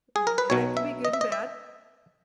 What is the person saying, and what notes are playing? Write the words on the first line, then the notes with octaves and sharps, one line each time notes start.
I mean, and that could be good and bad.
G#4
A#4
B4
B1 B2 F#3 C#5
E5
D#5
E5
D#5
E5